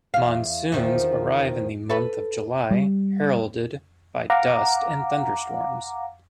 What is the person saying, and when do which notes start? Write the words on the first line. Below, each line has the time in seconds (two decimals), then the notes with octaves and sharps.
Monsoons arrive in the month of July heralded by dust and thunderstorms.
0.14 E2 F5
0.72 E2 D#3 F3
1.90 A4 B4
2.71 G3
4.30 F5 F#5 A#5 D6